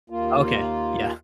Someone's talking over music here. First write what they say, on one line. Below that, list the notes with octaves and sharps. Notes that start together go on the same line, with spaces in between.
Okay, yeah.
D#2 A#3 F4